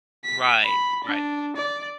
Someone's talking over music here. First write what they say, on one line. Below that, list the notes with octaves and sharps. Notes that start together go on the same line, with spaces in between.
Right. Right.
B6
B5
D4
D5